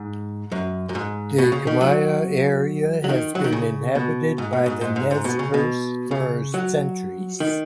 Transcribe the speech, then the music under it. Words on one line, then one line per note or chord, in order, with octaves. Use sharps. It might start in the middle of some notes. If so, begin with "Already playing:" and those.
The Kamiah area has been inhabited by the Nez Perce for centuries.
Already playing: G#2
F#2
F#2
G#2
B2
C#3
D#3
F#3
F#3
D#3
F#3
D#3
C#3
B2
G#2
B2
G#2
G#2
G#2
G#2
B2
C#3
B2
C#3
F#3
D#3